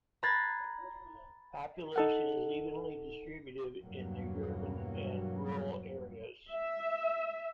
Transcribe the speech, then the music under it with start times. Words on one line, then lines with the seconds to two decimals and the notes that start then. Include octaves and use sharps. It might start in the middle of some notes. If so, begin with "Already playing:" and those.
Population is evenly distributed in the urban and rural areas.
0.23 A#5 B5 F#6 G#6 A6 C7
1.96 D#4 A4 F#5
3.82 E2 G2 B2 F#3 G3 A#3
6.50 E5